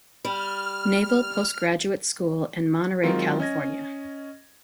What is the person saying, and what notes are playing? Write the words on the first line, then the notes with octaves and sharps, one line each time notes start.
Naval Postgraduate School in Monterey, California.
G3 F6
D#3 F#3 G#3 C4 F4 A#4
C#4 D#5 G#6 A#6